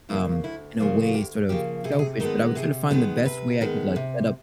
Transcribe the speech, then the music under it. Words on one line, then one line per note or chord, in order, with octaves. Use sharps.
um, in a way, sort of selfish, but I would try to find the best way I could, like, set up
C#3 F3 A#3 E4
D2 E4
C#3 F3 A#3 F4
F#4
D2 G4
C#3 F3 A#3 G4
C3 G#4
G4
G#4
D#3 G#3 B3 A4
C3 G#4
D#3 G#3 B3 A4
C3 B4
D#3 G#3 B3
C3